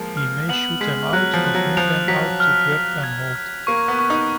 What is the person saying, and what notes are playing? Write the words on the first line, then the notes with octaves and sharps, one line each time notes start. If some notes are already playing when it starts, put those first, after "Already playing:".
He may shoot them out or bring them out to grab and hold.
Already playing: F3 G#3 A#3
F6
B3 F#7
G#3 B6
F#3 F#6
F3
F#6
F#3
F3 F7
F#3 B6
F6
F6
G#6
F6
A#3 C#6
B3
C#6
D#4